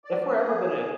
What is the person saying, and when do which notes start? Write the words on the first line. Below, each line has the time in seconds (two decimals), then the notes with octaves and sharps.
if we're ever gonna
0.05 D5
0.35 G#4